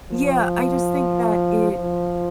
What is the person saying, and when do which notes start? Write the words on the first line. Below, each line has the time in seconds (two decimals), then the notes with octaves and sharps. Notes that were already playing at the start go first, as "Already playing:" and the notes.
Yeah, I just think that it
0.12 F3
1.71 F3